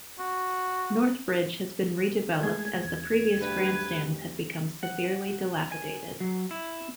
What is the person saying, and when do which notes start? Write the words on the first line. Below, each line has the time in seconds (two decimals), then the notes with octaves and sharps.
Northbridge has been redeveloped as the previous grandstands had become severely dilapidated.
0.19 F#4
2.43 G#3 A3 G#4 G#6
2.85 E2
3.41 D2 G2 B4
4.83 F#5
5.72 G#5
6.20 F#3
6.51 E4